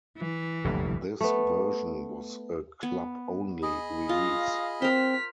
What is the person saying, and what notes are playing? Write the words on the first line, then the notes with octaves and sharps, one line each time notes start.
This version was a club-only release.
E3
F1 A#1 E2 A2 D3 G3
A3 B3
B3
G#4 D#5 B5
F4 F5 A#6
C4 A#4 C5 F6 B6